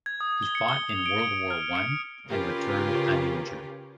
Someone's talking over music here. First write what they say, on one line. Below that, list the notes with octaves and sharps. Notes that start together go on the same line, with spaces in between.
He fought in World War One and returned uninjured.
G#6
D#6
G7
C#7
G7
F7
D7
C#7
F6
C#7
C#3 C#4 F4 G4 A#4 B4